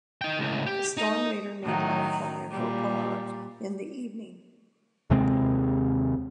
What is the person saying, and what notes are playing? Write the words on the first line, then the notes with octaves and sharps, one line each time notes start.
The storm later made landfall near Gopalpur in the evening.
D#4 G5
C#2 A2
G4
D#4
A2 D#3 F#3
A#2 G3
D#2 C3 G#3 C4